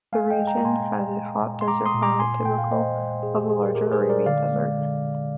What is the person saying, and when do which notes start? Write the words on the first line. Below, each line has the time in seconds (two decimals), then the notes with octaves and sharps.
The region has a hot desert climate typical of the larger Arabian Desert.
0.13 G#3 F5 G#5
0.31 D#5 G5
0.39 G#3
0.47 G5 A#5
0.58 A#5
0.65 A#2 G#5 C6
0.91 A#2
1.17 G#3
1.43 A#2
1.61 C6
1.68 G#3 A#5 D6
1.86 C6 D#6
1.94 A#2
2.03 A#5 D6
2.19 A#2 G#5 C6
2.45 A#2 G5
2.58 F5
2.71 A#2 C5 D#5
2.98 G#3
3.23 G#3 G#4
3.36 G4
3.49 A#2 G#4
3.62 G4 A#4
3.75 A#2 G4 A#4
3.92 G#4 C5
4.00 G#3
4.09 A#4 D5
4.26 D3 D5 F5
4.53 G#3
4.78 D3
5.05 G#3